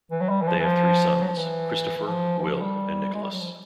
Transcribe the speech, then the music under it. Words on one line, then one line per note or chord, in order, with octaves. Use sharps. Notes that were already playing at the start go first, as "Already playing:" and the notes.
They have three sons: Christopher, Will, and Nicholas.
E3
F#3
G3
E3
F3
E3
F3
F#3
F3
E3
E3
F3
E3
F3
G3
G#3
G3
F#3
F3